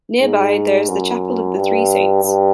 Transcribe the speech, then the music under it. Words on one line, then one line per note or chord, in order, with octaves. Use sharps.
Nearby, there is the Chapel of the Three Saints.
G#2
F#2
G2
G2